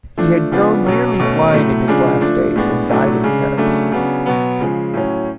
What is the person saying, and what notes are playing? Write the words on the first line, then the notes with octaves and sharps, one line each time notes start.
He had grown nearly blind in his last days, and died in Paris.
F3 A3 D4
C#3 F3 B3 D4
B2 F#3 C#4
B2 A3 C#4
A2 F#3 A3
C#3 F3 G#3 D4
F3 A3 D4
A2 G#3 B3 D4
A2 F#3 A3 D4
C#3 G#3 D4
C#3 F#3 A3 D4
C#3 F#3 B3 D4
B2 F#3 B3
C#3 F3 G#3
A2 F#3 C#4